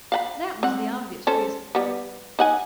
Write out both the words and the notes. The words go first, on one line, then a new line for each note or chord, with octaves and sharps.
That was the obvious reason.
F5 F#5 B5
C4 F#5
C#4 A4 C5
G3 B3
D#4 F#5 G#5